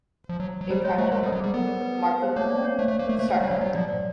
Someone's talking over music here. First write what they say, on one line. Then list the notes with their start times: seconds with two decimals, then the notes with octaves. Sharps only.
A prime number, Markov number, star number.
0.29 F3
0.40 F#3
0.61 F#3
0.70 G3 C5
0.84 G#3 C#5
0.98 A3 C5
1.12 G#3 A#4
1.23 G3
1.26 A4
1.32 F#3
1.40 G3 G#4
1.54 B3 A#4
1.67 A#4
1.81 B4
1.95 A#4
2.08 B4
2.22 C5
2.36 A#3 C#5
2.51 D5
2.65 C#5
2.78 A3 C5
2.88 A3
2.99 A#3
3.06 A3 A#4
3.19 A3 C5
3.29 A3
3.33 C#5
3.40 G3
3.47 F#3 D5
3.60 F#3 D#5
3.75 F3 D5
3.88 D5